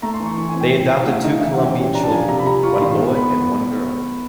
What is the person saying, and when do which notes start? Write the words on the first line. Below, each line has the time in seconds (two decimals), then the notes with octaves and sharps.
They adopted two Colombian children, one boy and one girl.
0.02 A3 A#5
0.14 C6
0.20 E3
0.26 C#6
0.37 E3 C#6
0.49 G#5
0.55 C4
0.61 G5
0.72 G3
0.89 E4
0.95 F5
1.06 A3 F#5
1.24 D#4 F5
1.41 E3 E5
1.53 F#5
1.59 C#4
1.64 G5
1.76 G3
1.94 D4 A#5
2.03 A5
2.11 F3 G#5
2.28 C3 A#5
2.39 B5
2.46 G3 A#5
2.63 F4 C#6
2.75 B5
2.81 D#3 C6
2.98 B3
3.15 B3 B5